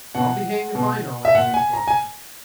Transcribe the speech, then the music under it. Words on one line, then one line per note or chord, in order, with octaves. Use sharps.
"I'll be hanged if I know," answered the collector.
B2 F#5
B2
E5
A#2 F#5
G#5
A#5
G#5